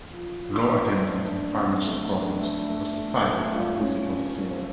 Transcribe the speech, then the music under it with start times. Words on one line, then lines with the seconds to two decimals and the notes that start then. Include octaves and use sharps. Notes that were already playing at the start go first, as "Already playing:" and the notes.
Low attendance and financial problems were cited as reasons for the sale.
0.13 F3
0.42 F3
0.70 F3
0.98 A3
1.26 D4
1.55 C3
1.83 A3
2.11 D4
2.39 A3
2.68 A3
2.96 A3
3.24 A3
3.52 F4
3.80 C#4